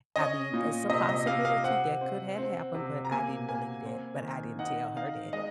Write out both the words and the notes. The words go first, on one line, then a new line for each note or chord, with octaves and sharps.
I mean, it's a possibility that could have happened, but I didn't believe that, but I didn't tell her that.
C#4 D#5
A#2
C3 D#5
D#5
C3 F5
F5
C4 F#5
C4
C4
C3
A#5
A#3 G#5
A#3 G#5
C4
D#3
D#4 F#5
D#4 F5
G#3 D#5